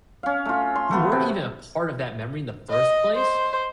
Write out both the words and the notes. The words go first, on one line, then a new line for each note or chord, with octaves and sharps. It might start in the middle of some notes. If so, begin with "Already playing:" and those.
who weren't even a part of that memory in the first place
C#4 F5
A3 F4
C6
A3 B3 F#4
C3
D#5
C5